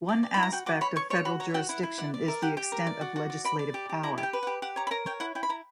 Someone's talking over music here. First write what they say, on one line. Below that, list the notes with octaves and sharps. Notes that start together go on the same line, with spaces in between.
One aspect of federal jurisdiction is the extent of legislative power.
D5
D5
E4 B5
A#5
F#4 G5
F#4 D6
C#5 B5
C#5 C#6
C#5 C#6
F#4 B5
C#5 A#5
F#4 G5
E4 F#5
E4
D5 F#5
D5
A#4 E5
G4 F#5
G4 G5
A#4 A#5
D5
F#4
F#4
D5
D5 B5
D5
G4
G4
E4 A#5
G4
G5
B4
F#5
G4
G4 F#5
C#5 A#5
B5
A#4 A#5
C#5 G5
E4 F#5
E4 G5
B5
E4 A#5